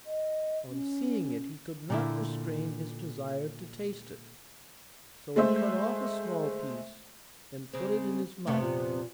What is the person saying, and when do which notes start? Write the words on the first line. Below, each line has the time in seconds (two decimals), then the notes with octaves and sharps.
On seeing it he could not restrain his desire to taste it, so he cut off a small piece and put it in his mouth.
0.06 D#5
0.69 C#4
1.90 A#2 D3 E4
5.36 G#3 A3 C5 E5
7.73 C#3 G#3 C4
8.47 F2 C3 A3 B3
8.62 A#2